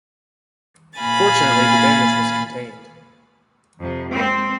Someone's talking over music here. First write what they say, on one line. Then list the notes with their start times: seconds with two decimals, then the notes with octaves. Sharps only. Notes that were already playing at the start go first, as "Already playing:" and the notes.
Fortunately the damage was contained.
0.99 A#2 A#3 F5 G#5 B5 A6
3.80 F2 C3
4.13 G#3 C4